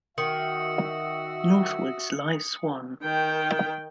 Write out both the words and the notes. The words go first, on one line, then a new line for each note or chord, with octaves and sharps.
Northwards lies Swann.
D#3 F#4 E5 D#6 C#7
D#3 G5